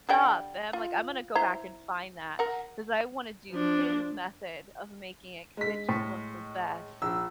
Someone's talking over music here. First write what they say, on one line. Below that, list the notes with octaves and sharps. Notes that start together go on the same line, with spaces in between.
stuff. And I'm, like, "I'm gonna go back and find that." 'Cause I wanna do his method of making it 'cause it just looked the best.
D3 G3 G5
F4
E4 C5 A#5
A#4 F#5
F3 D4
G#3 B6
A2
A#1 E6